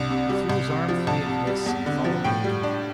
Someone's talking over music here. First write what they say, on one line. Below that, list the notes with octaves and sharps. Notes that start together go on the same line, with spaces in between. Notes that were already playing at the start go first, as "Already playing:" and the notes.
He threw his arm free of this and followed Lincoln.
Already playing: C2 D4
C3
G3
C2
C3
F3
C2 A5
C3
G3
E2
D3
F3
A2 G5
G3
D4